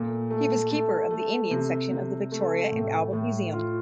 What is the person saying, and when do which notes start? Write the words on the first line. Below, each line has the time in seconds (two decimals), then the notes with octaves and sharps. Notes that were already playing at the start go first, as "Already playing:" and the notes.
He was Keeper of the Indian Section of the Victoria and Albert Museum.
Already playing: A#2 A3
0.30 A3
0.71 A3
1.11 A3
1.51 C3
1.91 C3
2.32 A3
2.72 A2
3.13 A2
3.53 F4